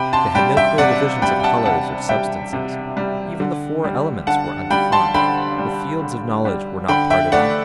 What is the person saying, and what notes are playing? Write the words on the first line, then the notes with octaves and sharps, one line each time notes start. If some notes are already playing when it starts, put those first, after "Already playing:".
They had no clear divisions of colours or substances; even the four elements were undefined; the fields of knowledge were not parted off.
Already playing: C3 G5 B5
A5 C6
G3 G5 B5
E5 G5
C3 D5 F#5
G3 G5 B5
G5
F#5 A5
C3 F#5 A5
G3 E5 G5
C3
G3
D3
G3
D3 F#5 A5
G3 G5 B5
A5 C6
D3 G5 B5
G3
D3
G3
D3 G5 B5
E5 G5
A3 D5 F#5